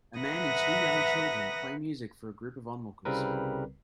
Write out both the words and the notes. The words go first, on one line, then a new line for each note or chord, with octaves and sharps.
A man and two young children play music for a group of onlookers.
B4 E5 F#5 A#5 D#6 A#6
C2 C#3 G3 C4 A#4 B4